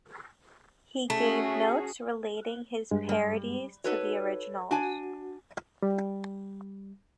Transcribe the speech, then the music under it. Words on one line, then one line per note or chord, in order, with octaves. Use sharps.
He gave notes relating his parodies to the originals.
A3 C#4 F#4 G#4
G2 G#3
G3
D#4 F#4 A4 B4 C#5
D4 F#4 G#5
G3